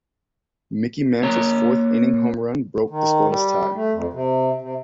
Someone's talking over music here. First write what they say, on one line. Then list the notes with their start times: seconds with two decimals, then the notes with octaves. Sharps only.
Mickey Mantle's fourth-inning home run broke the scoreless tie.
1.23 A#3 C#5 A#5
2.90 D#3
3.28 G3
3.75 A3
3.93 F2
4.13 C3
4.62 C3